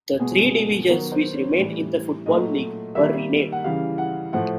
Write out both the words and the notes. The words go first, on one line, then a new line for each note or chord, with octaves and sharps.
The three divisions which remained in the Football League were renamed.
B2 G#3 B3 G#4
G#4
A4
D#3 F#3 B3 A#4
C5
C#5
A2 E3 G3 D5
A#2 F#3 A3 D#5
D#3 G3 A#3 E5
F#5
C#3 E3 G3 F5
F#5
A2 F3 A3 F#5